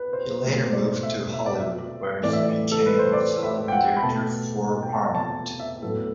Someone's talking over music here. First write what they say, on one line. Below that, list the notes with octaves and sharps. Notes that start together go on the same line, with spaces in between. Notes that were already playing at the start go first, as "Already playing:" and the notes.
He later moved to Hollywood, where he became a film director for Paramount.
Already playing: B4
C5
B2 F#3 A3 C5
C5
D5
E5
E5
D5
E5
A2 E3 A3 D5
E5
D5
A4
B4
C5
D5
E5
G5
F#5
B5
B2 A3 A5
G5
A5
A5
E5
A2 F#3 B3 A4